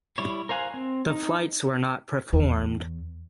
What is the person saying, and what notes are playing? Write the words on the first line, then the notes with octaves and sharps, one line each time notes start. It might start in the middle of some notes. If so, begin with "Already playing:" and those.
The flights were not performed.
G3 E4 C#5
A#4 C5 F5 G#5 F#6
C4
D#4
E2